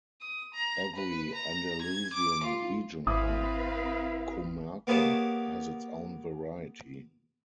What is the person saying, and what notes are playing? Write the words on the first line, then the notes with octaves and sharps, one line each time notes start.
Every Andalusian region or comarca has its own variety.
D#6
A#5
B4
A#5
G#6
D6
F4
G#1 C4 E4 B4 F5 D#6
A#3 B3 G4 G#4 C#5 A5